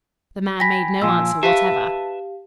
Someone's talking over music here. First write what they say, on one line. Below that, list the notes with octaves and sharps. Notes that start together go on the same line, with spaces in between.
The man made no answer whatever.
G5 G#5 B5 A#6 B6
A#2 F3 G#5 C6 E6
G4 B4 E5 F5 A5